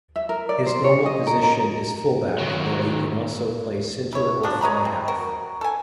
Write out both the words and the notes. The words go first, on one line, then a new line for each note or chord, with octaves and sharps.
His normal position is fullback though he can also play centre or fly-half.
E5
A#4
D5
C5
C#5
D#5
A#4
A#4
D#3 F#3
E4 C#5
F3 F#3 D4 F#4
C#5 D#5 A#5 B5
C4
F#4 A#4
A4 G#5